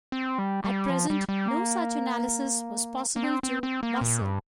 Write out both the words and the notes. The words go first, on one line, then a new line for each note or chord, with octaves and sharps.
At present no such analysis was possible to Basil.
C4
G3
G3
F3
G3
G3
A#3
A#3
C4
C4
C4
A#3
A#2
G2